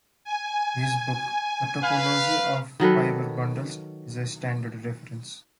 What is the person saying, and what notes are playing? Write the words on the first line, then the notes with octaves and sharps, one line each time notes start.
His book "The Topology of Fibre Bundles" is a standard reference.
G#5
B4 F5
D#3 F#3 A4 B4